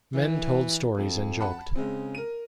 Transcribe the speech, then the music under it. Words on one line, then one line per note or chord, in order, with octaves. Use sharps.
Men told stories and joked.
E3
F2
F#5 A5 B5
C#3 G#3 C4
A#4 D#7